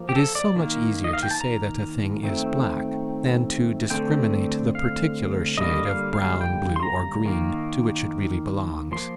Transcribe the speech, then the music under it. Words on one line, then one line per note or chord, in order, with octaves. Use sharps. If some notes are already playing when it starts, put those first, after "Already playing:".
It is so much easier to say that a thing is black, than to discriminate the particular shade of brown, blue, or green, to which it really belongs.
Already playing: F3 A#3
G4
A4
D5
D#3 A#3
D#5
F5
G5
A5
A#5
D#3 A3 C4
D3 A3 C4 G5
F5
D3 G3 A#3 D#5
F5
F5
G5
C6
A#5
D#3 A#3
F3 A#3 C6